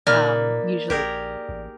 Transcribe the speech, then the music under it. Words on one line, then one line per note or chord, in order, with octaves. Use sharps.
um, usually
A#2 A#3 D#4 B4 D5 F6
A#1 G4 G#4 A#4
A1